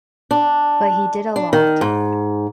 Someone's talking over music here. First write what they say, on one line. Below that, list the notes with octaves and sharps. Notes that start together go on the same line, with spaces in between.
But he did a lot.
D4
D4
D#3
G#2